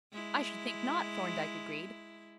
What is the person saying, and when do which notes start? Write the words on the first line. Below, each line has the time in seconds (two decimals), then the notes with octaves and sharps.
"I should think not," Thorndyke agreed.
0.13 G#3 E4